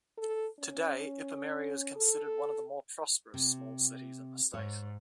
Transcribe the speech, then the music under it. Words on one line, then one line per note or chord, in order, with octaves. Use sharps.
Today Ipameri is considered one of the more prosperous small cities in the state.
A4
C#4
A4
C3
G#2 C#5